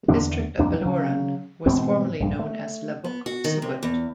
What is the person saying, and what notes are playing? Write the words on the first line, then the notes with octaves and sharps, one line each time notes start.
The district of Beluran was formerly known as Labuk-Sugut.
E2 D3 A3 D4
C2 F2 A#2 D4
C#3 F#3
G#2 B2 E3 C4
A#1 G2
A3
B3
F#4
D#3
C3
E2